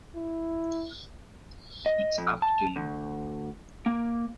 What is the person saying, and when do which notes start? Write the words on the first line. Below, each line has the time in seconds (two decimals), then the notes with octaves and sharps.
It's up to you.
0.15 E4
1.86 D#5
2.18 F2
2.42 A5
2.76 D2
3.86 A#3